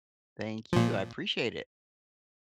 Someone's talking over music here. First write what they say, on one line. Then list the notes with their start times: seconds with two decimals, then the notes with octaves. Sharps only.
Thank you, I appreciate it.
0.73 A#2 F3